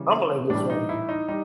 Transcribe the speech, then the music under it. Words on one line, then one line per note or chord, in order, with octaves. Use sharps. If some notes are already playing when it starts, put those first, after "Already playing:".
I'm a Lakers fan.
Already playing: C#3 E3 G3
A2 E3 G3 D4
D#4
E4
D#4
G3 D#4